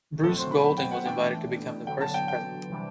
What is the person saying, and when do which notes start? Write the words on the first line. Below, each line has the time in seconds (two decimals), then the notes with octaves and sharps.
Bruce Golding was invited to become the first President.
0.23 F#3 A3 C4 F#4 A4
0.37 C5
0.51 B5
0.64 B5
0.78 G5
0.91 F#5
1.05 E3 A3 D4 G5
1.87 D3 F#3 B3 G5
2.01 A5
2.14 G5
2.28 G5
2.70 C3 E3 G3 D4